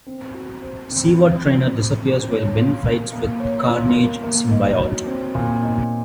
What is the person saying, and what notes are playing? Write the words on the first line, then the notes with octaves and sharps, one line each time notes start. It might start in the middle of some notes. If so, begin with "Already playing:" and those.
Seward Trainer disappears while Ben fights with the Carnage symbiote.
C4
F#4
C5
C4
C4
F#4
C5
C4
C#5
F4
A#4
A#3
C#5
F4
A#4
A#3
D#4
F#3
C4
A#2
D#4